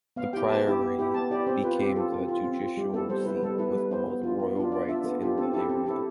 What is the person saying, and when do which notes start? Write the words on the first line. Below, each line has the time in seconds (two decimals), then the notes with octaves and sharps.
The priory became the judicial seat, with all the royal rights in the area.
0.16 B3 F5
0.33 E4 G4 G5
0.49 B3 A5
0.66 E4 G4
0.81 B3
0.99 E4 G4
1.14 B3 A5
1.30 E4 G4 D5
1.47 C4 C5
1.64 F4 B4
1.79 C4 G4
1.96 F4 A4
2.13 C4
2.28 F4
2.44 C4
2.60 F4
2.77 G3 G4
2.94 B3 E4 A4
3.09 G3 C5
3.25 B3 E4 B4
3.43 G3 A4
3.58 B3 E4 B4
3.74 G3 B4
3.91 B3 E4 C5
4.07 B3
4.23 D4 F4
4.40 B3
4.56 D4 F4
4.72 B3 D5
4.89 D4 F4 E5
5.04 B3 A4
5.21 D4 F4 G4
5.37 C4 A4
5.53 E4 G4 A4
5.69 C4
5.86 E4 G4 A4